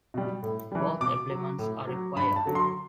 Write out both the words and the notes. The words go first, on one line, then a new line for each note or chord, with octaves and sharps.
Both elements are required.
B2 G3
A2
E3 G3
B2 D6
F#3
A2
F#3
G2 B5
A5
D3 F#3
C6